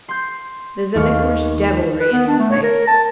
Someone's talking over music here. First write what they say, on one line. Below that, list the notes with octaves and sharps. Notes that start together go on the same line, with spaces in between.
There's a liquorish devilry in your face.
C6 G6
D#2 C#6 F6
B4
B3
D4
A3
C#5
A#4
A5